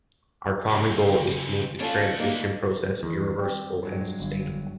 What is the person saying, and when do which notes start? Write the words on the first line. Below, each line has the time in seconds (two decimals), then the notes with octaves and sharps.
Our common goal is to make the transition process irreversible and sustainable.
0.70 C#3 C4
1.80 A3 C#4 D4 F4 A4
2.18 A#2 A#3 D#4
2.32 F2
3.03 E2 D#3
3.40 G3 C4 G4
3.83 G2 F#3 G#3
4.20 G1